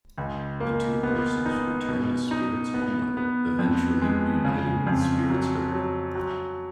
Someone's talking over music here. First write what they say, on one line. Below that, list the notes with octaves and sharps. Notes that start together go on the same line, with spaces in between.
The two horses return to Spirit's homeland, eventually reuniting with Spirit's herd.
C#2
A#3
B3
D#4
B2
D#4
B3
B3
F2
G#3
C#3
F2
F#3
F#3
F#3